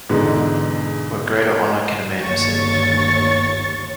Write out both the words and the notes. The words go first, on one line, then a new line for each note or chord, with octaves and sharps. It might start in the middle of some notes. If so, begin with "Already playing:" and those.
What greater honor can a man receive?
E2 G#2 B2 D3
G1 D#2 C#5 C#6 A6